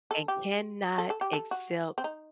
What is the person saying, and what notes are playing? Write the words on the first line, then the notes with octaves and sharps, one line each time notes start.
and cannot accept
A4
G4
A4
A4
G4
A4
F#4
C4
D#4